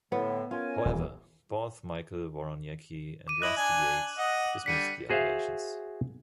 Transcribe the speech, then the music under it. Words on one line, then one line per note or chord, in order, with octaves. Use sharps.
However, both Michael Woroniecki and Rusty Yates dismissed the allegations.
A2 D3 B3
C#4 F4 A#4 G#5
D#1 E3
D6 D#7
E4 D#5 F#6 F#7
D4 G#5
D#5 F#5
D3 G3 B6 C#7 D#7
F#4 G#4 C5 E5 F5